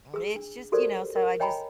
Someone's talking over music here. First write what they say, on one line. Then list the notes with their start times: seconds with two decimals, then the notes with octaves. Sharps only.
It's just, you know, so I just
0.14 G#4 E6
0.36 D4
0.72 F#4 G4 A4 A#4 C5 D5
1.16 A#4
1.40 C#5 D#5 G5 G#5 A#5 B5